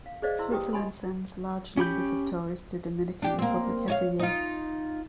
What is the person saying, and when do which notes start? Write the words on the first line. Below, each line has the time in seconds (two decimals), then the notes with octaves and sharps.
Switzerland sends large numbers of tourists to Dominican Republic every year.
0.06 F5
0.22 G#4 B4 C5 D5 D#5 F5
0.39 E4 A#5 C6 E6
0.51 G4 B4 G5 D6 D#6
0.73 G4 D#5 G#5 B5 C6
1.77 C#4 G4 B5 G6
3.22 D4 G4
3.39 A#3 C4
3.88 C#5 D#5 F5
4.19 D#4 F4